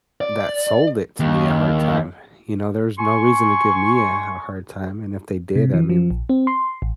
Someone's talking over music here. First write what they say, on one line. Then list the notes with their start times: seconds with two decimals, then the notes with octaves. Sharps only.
that sold it to me a hard time. You know, there was no reason to give me a a hard time, and if they did, I mean
0.21 D5
1.20 D#2
2.99 G#5 C6 C#6
5.56 C3
5.74 E3
5.90 F3
6.11 A#1
6.29 C4
6.47 C6
6.82 A1